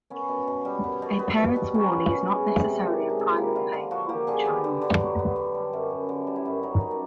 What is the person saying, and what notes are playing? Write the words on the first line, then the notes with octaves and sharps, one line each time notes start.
A parent's warning is not necessarily a Primal Pain for the child.
B3 C#4
B2
B2
G3
B3
B2
B3
B2
B2
F#3 C#4
B3
B2
G#3
C3
C3
D#3 D4
G#3
D#4
C3
A#3 E4
D3 F4
D3 F4
F3 F#4
A#3 G4
D3 G#4
B3 G4
D3
D3
F#3
B3
D3
G3
F#2
F#2
D3
G3
E4
F#2
F#3 D#4
F#2
D4